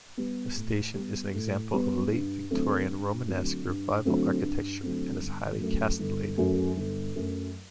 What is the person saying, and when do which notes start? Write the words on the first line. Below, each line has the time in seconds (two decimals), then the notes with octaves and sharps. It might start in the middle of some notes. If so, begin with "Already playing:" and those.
The station is an example of late-Victorian Romanesque Revival architecture and is highly castellated.
0.17 G3 B3
0.56 A2
0.95 G3 B3
1.34 A2
1.73 G3 B3
2.12 G2
2.51 D3 F#3 A3 C4
2.89 G2
3.28 D3 F#3 A3 C4
3.67 G2
4.05 D3 F#3 A3 C4
4.44 G2
4.83 D3 F#3 A3 C4
5.22 G1
5.60 F#2 F#3 A3
5.99 G1
6.38 F#2 F#3 A3
6.76 G1
7.16 F#2 F#3 A3